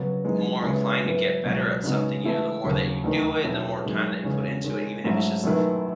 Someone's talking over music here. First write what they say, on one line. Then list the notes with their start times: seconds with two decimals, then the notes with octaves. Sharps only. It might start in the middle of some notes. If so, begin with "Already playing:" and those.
more inclined to get better at something, you know, the more that you do it, the more time that you put into it, even if it's just,
Already playing: C#3 F#3 B3 F#4
0.25 F#2 E3 G#3 D#4
0.63 C#3 G#3 C#4 E4 B4
1.03 G#2 F#3 B3 E4 B4
1.44 C#2 B2 F#3 B3
1.84 C#3 G#3 B3 D#4 F#4
2.24 E3 A3 E4 A4
2.64 D#2 C#3 F#3
3.04 E2 D#3 A3 D#4
3.44 B2 F#3 C#4 E4 A4
3.85 F#2 D#3 G#3
4.24 E2 C#3 G#3 C#4
4.64 D#3 G#3 C#4
5.04 G#2 F#3 A3 C#4 E4
5.44 F#2 D#3 A3 E4 B4